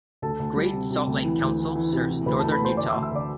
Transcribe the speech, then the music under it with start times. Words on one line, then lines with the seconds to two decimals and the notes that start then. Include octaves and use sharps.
Great Salt Lake Council serves northern Utah.
0.22 D2 A4 A5
0.40 D2
0.56 G3
0.73 C3
0.91 C3
1.07 D2
1.24 E3
1.42 D2
1.58 E3
1.76 E3
1.93 C3
2.09 E3
2.26 D2 B4 B5
2.39 A4 A5
2.43 D2
2.52 B4 B5
2.61 A3 C5 C6
2.77 D2 D5 D6
2.90 E5 E6
2.94 D2
3.03 E5 E6
3.11 D2 D5 D6